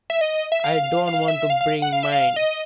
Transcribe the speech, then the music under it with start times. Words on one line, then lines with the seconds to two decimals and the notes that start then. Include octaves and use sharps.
I don't want to bring mine.
0.10 E5
0.21 D#5
0.52 E5
0.64 F5
1.07 F5
1.28 E5
1.50 F5
1.61 F5
1.82 F#5
1.93 F5
2.03 E5
2.12 F5
2.36 D#5